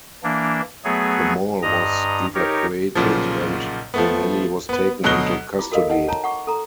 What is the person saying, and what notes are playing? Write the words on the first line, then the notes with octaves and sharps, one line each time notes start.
The mall was evacuated and Bonelli was taken into custody.
E3 A#3 D4
F#3 A3 B3 G#4
G2 D#5 A#5
D#4 G4 A#4 C#5
B1 A#2 C#3 F3
F3 A3 B3
B3 B4
D2 B2 F#3 D#5 F#6 G7
E4 F4 D6
F#4 A4 A#4 D#5 F5
D#4 D#5 F#5
C#5 A5 A#5
F#5 C#6 D6
A4 A#5